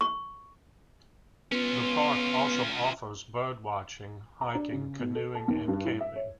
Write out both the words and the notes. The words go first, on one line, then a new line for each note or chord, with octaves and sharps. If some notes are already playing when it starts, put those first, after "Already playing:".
The park also offers bird watching, hiking, canoeing, and camping.
C#6
B3 C#4 F4
A#5
D4
C#3
B2
A4
A5
D#2
G2
E4
E5
C#5